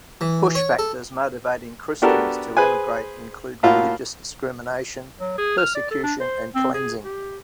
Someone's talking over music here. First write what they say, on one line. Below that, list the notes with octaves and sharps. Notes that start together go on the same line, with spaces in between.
Push factors motivating Christians to emigrate include religious discrimination, persecution, and cleansing.
E3
C#5
A4
B3 D4 F#4 G4 A4 A#4
G#4 B4 C5 G#5
A2 A#3 F4 F#4
F#3
G#4
F6
D5
A4
D4
C5
C4
G#4
G4